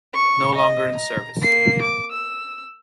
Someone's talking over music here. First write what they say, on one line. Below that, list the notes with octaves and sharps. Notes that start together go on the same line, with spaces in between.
No longer in service.
C#6
D#5
A#5
A#3 C7
D6
E6